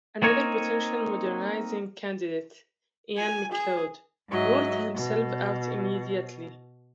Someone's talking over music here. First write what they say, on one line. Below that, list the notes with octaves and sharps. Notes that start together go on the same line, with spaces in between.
Another potential "modernizing" candidate, Iain Macleod, ruled himself out immediately.
A#3 C4 D#4 C#5
G#5
G#4
G#2 F#3 D#5 E5
B2